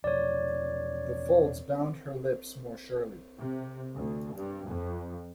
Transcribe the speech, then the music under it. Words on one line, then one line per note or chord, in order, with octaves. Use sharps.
The folds bound her lips more surely.
E2 B2 F3 C#5 D5
C3
D2
G2
F2